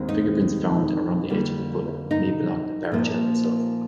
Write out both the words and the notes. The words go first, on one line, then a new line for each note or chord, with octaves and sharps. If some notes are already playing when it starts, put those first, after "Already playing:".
Fingerprints found around the edge of the bulla may belong to Barachel himself.
Already playing: D#2 D#3 G#3 C4
D#4
F2 D3 G3 A#3
D#4
A#2 F3 A#3